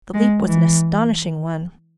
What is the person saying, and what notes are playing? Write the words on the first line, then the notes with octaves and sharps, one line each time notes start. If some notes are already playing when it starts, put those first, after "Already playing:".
The leap was an astonishing one.
G#3
E3